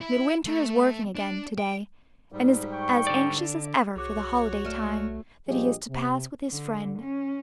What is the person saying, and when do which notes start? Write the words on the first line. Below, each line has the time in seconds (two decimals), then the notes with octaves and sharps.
Midwinter is working again to-day, and is as anxious as ever for the holiday-time that he is to pass with his friend.
0.01 E4
0.46 A3
1.16 D4
1.58 G5
2.32 G#2 G3
2.73 G5 C#6
3.07 D3 D5
3.96 C2 F#4 G#4 C#5 D6 F#6
4.65 A3 D5 F6 E7
5.47 A#1 F3 G3 G4 G#4 D#5
5.89 C3
6.50 D3
6.99 C#4